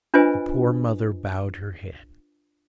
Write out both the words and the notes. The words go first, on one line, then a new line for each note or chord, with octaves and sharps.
The poor mother bowed her head.
D4 F4 B4 C5 D#5 G#5